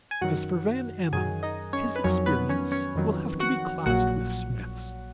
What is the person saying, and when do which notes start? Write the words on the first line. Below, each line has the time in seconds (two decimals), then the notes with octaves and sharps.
As for Van Emmon, his experience will have to be classed with Smith's.
0.11 G#5
0.21 F#2 D#3 F#3 F#4 F#5
1.13 F#2 D#3 F#3 G#4 G#5
1.43 D#4 D#5
1.73 C#4 C#5
1.96 B4
2.04 F2 D#3 F#3 C#4 C#5
2.26 B3 B4
2.49 C#4 C#5
2.72 C#4 C#5
2.95 F2 D#3 F#3
3.40 F#4 F#5
3.86 A#1 A#2 F#3 F#4 F#5